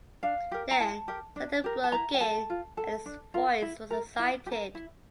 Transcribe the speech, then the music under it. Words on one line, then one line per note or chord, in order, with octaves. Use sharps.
Then Xander broke in and his voice was excited.
D4 F5
G4 A#4
A#5
E4 A5
G4 A#4
D4
G4 A#4
A5
E4 A#5
G5
A4 A5
F4
A4
D4
F4 A#4
E4
A#4
E4
G4
A#4
E4